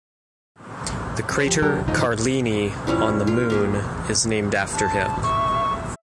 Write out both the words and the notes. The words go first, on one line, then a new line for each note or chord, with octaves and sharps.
The crater Carlini on the Moon is named after him.
C#4 C5
F3 G4
F#3 A#3 D4 G4 A4 A#4
G2 D3 D#3 F3 D4 D#4
F3 G3 C#4 E4
F4
A#3 G4 G#4
A5
E5 C#6